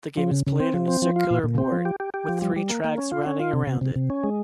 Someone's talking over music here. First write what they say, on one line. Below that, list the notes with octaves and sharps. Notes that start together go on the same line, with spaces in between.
The game is played on a circular board, with three tracks running around it.
F3
C#3
C#3
C4
F3
C4
F3
F4
A#2
A#2
C4
F3
G4
G4
G4
F3
G3
G3
A#3
A#3
C#4
F4
C#4
F4
C3
C3
C3
C3
C#4
G#3